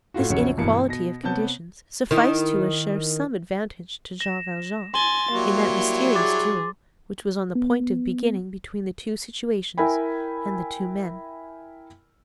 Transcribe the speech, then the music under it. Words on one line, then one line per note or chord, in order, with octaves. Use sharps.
This inequality of conditions sufficed to assure some advantage to Jean Valjean in that mysterious duel which was on the point of beginning between the two situations and the two men.
A2 A3 F4 F#4
A#1 E2 C#3 F#4 C#5 C#7
G2 B2 E3 A#3 C#7
B2 A#6
C3 B3 C#5 A5 G6
D#3 E4
A#6 E7
G#5 C6 A6 G7
F#3 G3 A#3 E4
G#4 D6 A6
B3
E4 A#4 E5 G5 G#5 B5